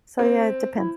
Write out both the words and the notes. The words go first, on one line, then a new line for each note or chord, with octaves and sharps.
So yeah, it depends.
C4
E4